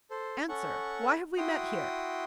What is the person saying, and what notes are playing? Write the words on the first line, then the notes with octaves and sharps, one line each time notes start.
Answer: why have we met here?
A4 C5
C#4 A4 F#5 C#6
E4 F#4 G5 C6 D#6